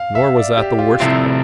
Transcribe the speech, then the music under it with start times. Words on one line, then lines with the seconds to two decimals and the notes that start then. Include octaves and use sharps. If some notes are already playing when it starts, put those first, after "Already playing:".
Nor was that the worst of it.
Already playing: F5
0.15 E5
0.36 D5
0.58 G4
0.79 F4
1.00 C2 C3 F3 A3 C4 E4